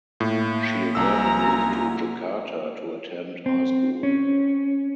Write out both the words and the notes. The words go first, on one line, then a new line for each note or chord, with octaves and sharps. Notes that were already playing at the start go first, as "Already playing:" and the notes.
She then moved to Jakarta to attend high school.
A2 A#3 F4
C2 G#5 A#5 E6
C4
C#4